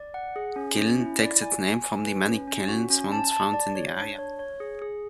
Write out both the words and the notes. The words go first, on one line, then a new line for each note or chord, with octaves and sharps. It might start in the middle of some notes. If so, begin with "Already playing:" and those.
Kiln takes its name from the many kilns once found in the area.
Already playing: D5
F#5
G#4
C#4
C#4
E4
D5
G#5
G#5
G#5
B4
C#4
C#4
F#4
C#4
A5
A5
D5
C#5
D4
C#5
C#5
G#4
G#4